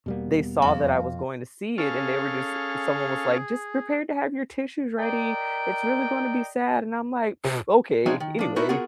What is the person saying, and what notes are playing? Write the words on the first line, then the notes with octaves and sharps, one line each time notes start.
they saw that I was going to see it and they were just someone was like, "Just prepared to have your tissues ready, it's really gonna be sad." And I'm like, "Okay. Anyway,
E2 B2 G3 A#3 B3
F2 F5
C#4 G#4 A4 F5
A#4 D5 D#5 G5
F3 G#3 C4 D#4 C#5 E5
D#3
F3 D4
A3 B3 D#4 E4 F#4 A#4
B3 F4 F#4 G#4 A#4